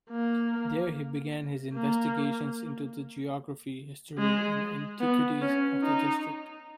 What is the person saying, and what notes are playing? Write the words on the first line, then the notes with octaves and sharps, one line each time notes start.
There he began his investigations into the geography, history and antiquities of the district.
A#3
A#3
G#3
B3
C#4
D#4